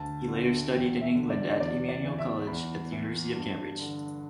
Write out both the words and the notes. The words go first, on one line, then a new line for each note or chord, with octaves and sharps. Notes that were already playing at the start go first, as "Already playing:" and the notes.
He later studied in England at Emmanuel College at the University of Cambridge.
Already playing: D2 A5
D3
E2 G5
E5
D3
D5
E2 D5
D5
E3
E5
E2 B5
E3
G2
D3